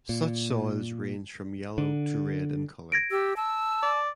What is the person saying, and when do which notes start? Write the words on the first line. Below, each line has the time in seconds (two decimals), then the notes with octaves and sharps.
Such soils range from yellow to red in colour.
0.09 A#2
1.78 D3
2.92 G#6 A#6 D7
3.11 G4 E6
3.36 A5 E6
3.83 D5